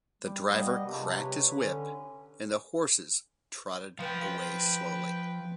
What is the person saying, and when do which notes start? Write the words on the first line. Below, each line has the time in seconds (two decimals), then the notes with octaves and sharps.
The driver cracked his whip and the horses trotted away slowly.
0.22 G3
0.47 G3 A#3 B3 D#5
0.86 C3 F3 G#3 D4
1.14 B4 C#5
1.54 D3 C#4
3.99 F3 B4 F5 G5